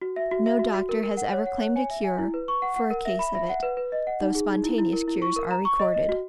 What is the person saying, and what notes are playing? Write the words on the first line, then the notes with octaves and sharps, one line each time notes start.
No doctor has ever claimed a cure for a case of it, though spontaneous cures are recorded.
F#4
E5
F#4
E5
F#4
F#4
A#4
A#4
F#5
C#5
F#5
C#5
G#5
E5
G#5
E4
B4
C#6
F#5
F#5
A#4
E5
B5
E5
F#5
B4
B4
D#5
F#5
D#4
G#4
D#4
E4
E4
A#4
E4
C#6
A#4
A#5
C#6
D#5
D#5
F#4